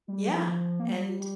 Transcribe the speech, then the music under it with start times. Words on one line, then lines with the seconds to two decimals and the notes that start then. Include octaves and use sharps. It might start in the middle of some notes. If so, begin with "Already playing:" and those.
yeah, and
0.08 G3
0.28 F3
0.80 A#3
0.89 G3
1.20 G3